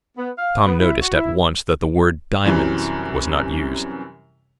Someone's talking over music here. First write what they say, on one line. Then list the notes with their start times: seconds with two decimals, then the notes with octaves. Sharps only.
Tom noticed at once that the word "diamonds" was not used.
0.16 B3
0.38 F5
0.65 B3
0.79 E4
1.01 F#4
1.14 E4
2.45 F#2 C3 E3 F#3 G3